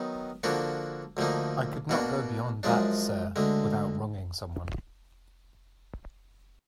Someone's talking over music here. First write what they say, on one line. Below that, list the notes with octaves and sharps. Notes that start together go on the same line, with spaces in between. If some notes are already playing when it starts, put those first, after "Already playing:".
I could not go beyond that, sir, without wronging some one.
Already playing: D#3 F#3 B3 D#4
D3 F3 A#3 D4 F#4
D2 D3 F3 A#3 D#4
B2 A#3 D4 F#4
F#2 F3 G#3 D4
D2 D3 G#3